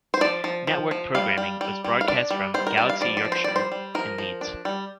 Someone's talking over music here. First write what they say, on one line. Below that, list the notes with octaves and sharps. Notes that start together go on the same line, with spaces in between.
Networked programming was broadcast from Galaxy Yorkshire in Leeds.
C5
F3 D5
F3
F3
F3
G3 F5
G3
G3
G3
F5
D4 D5
G3
G3 C5
A#4
G3 D5
F5
F3 D5
D5
F3
C5
G3 D5
C5
G3
F3 A#4
F3
D4
G3